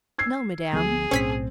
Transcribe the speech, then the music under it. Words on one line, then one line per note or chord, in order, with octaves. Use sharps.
"No, Madame."
E6 G#6 C7
D2 F3 B3 G#4
B1 A2 C4 C#4 G#5 B6